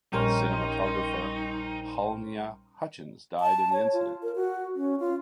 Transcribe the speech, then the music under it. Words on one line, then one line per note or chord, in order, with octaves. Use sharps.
Cinematographer Halyna Hutchins died in the incident.
A#1 G3 C#4 D#4 A#4 C5 G5
A5
C#5
F4
A#4
F#4
C#4
F4